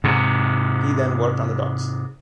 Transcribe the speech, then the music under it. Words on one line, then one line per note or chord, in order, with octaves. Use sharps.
He then worked on the docks.
G#2 C3